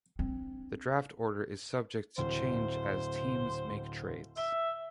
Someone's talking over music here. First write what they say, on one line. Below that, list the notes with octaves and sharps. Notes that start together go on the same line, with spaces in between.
The Draft order is subject to change as teams make trades.
C4 D4
D1 C5
E5 G7